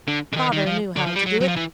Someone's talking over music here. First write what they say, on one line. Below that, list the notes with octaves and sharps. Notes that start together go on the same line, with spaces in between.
"Father knew how to do it."
D3
D3
D#3
D#3
F3
D3
F3
G3
F#3
F#3
F3
E3